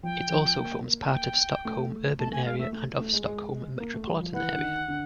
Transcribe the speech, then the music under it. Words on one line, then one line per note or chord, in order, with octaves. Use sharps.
It also forms part of Stockholm urban area and of Stockholm Metropolitan Area.
F3 G5
F3
A#3
G5
A3
A3 A5
A3 G#5
G#3 F5
A3 E5
A3
A3
G#3
G#3
A#3
A3
G3
F3
E3 F#5
D3
D#3
D3